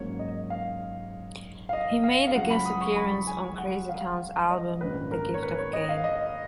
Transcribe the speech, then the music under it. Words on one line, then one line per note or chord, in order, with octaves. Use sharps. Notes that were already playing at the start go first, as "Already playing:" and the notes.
He made a guest appearance on Crazy Town's album, "The Gift of Game".
Already playing: G#2 F#3 A#3 C#4 C#5
D#5
F5
F5
D#5
F5
F5
C#2 C#3 F#3 F#5
B5
D#6
C#6
B5
G#5
F#5
F5
D#5
A#1 G#2 D#3 A#3 C#4 B4
A#4
C#5
B4
C#5
D#5
F5
D#5